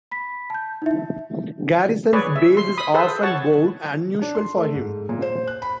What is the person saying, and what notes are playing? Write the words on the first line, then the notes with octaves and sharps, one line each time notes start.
Garrison's bass is often bowed, unusual for him.
B5 B6
A5 G6
D#4 E4 E5
G#4 B4 C#5 D5
E5
C6
B5 D#6
G#4 A4 B4 C5 E5
C#5 F#5 A5
D4
C6
A3
G#2
A#2
C5
F#6
B5